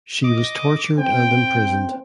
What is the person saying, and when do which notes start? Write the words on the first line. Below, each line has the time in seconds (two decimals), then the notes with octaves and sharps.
She was tortured and imprisoned.
0.24 D#5 D6
0.98 C4 G5